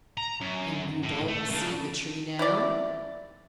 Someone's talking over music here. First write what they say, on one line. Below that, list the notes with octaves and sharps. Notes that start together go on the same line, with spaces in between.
"And you don't see the tree now?"
A#5
F#2
A2
A3
C#3 D4
E4 D5